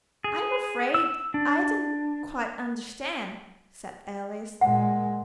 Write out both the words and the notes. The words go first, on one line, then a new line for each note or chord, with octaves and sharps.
'I'm afraid I don't quite understand,' said Alice.
G#4
E6
D4
A#2 G#3 F#5